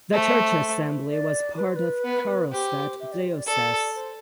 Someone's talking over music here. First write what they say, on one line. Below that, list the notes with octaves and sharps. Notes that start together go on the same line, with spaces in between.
The church assembly was part of Karlstad Diocese.
A3 C5
D5
B4
C5
B4
B3
G4 C5
E5
D5
C5
D5
A4 D5
C5